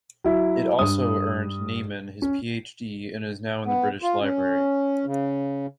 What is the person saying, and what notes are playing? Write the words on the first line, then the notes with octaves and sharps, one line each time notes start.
It also earned Niemann his Ph.D. and is now in the British Library.
F#3 E4
G2 D#6
C#4
B3
F4
C#4
C#3